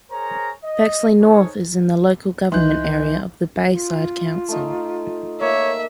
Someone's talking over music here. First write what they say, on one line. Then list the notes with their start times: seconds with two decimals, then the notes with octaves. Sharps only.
Bexley North is in the local government area of the Bayside Council.
0.11 G#4 A#4 C5 C#5 A#5
0.64 D#5
1.20 D#4 G#4 A4 C5 C#5
2.52 C2 E3 D#4 D#5 C6 F#6 G6
3.70 F4
4.48 A3 D#4
5.41 A#3 C#5 E5